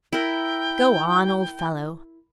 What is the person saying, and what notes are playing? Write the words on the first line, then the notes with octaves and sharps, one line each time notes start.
"Go on, old fellow."
E4 A#4 G5